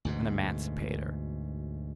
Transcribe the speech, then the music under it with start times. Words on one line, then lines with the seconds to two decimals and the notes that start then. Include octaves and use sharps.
An emancipator?
0.05 D2 G#2 B2